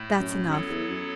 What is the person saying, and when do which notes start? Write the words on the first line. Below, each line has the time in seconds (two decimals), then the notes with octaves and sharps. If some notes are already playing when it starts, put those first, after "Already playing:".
That's enough.
Already playing: A2 A3 E4
0.19 F#2
0.49 F#2 F#3 B3 E4 A4
0.69 E2
0.89 F#2